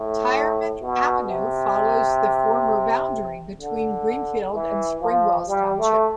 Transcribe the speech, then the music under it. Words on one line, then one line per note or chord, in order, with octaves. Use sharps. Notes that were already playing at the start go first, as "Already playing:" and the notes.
Tireman Avenue follows the former boundary between Greenfield and Springwells Township.
Already playing: A2
B2
C3
D3
E3
F3
G3
A3